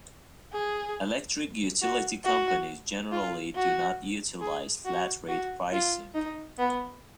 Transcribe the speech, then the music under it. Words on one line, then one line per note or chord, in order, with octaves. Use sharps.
Electric utility companies generally do not utilize flat rate pricing.
G#4
F#4
F#4
F4
F#4
G#4
F#4
F#4
F4
D#4
B3